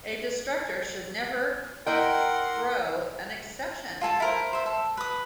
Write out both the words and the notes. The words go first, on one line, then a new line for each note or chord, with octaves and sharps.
A destructor should never throw an exception.
E4 A#4 D#5 F#5 G5 C6
F4 A4 G#5 A5
E4 A#4 C5
C5 E5
A4
B4 D#6